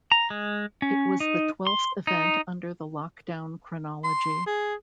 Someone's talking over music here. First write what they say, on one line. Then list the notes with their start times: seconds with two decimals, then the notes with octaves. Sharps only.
It was the twelfth event under the Lockdown chronology.
0.12 A#5
0.30 G#3
0.82 C#4
1.20 D#4
1.67 C6
2.07 D#4
4.04 C6
4.46 G#4